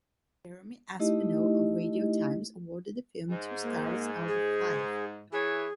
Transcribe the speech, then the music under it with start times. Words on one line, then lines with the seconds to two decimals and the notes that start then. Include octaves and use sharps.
Jeremy Aspinall of "Radio Times" awarded the film two stars out of five.
0.99 A3 D#4 E4 G4 D#5
3.30 G#2
3.63 A#3
4.28 G#4
5.32 E3 G#4 C#5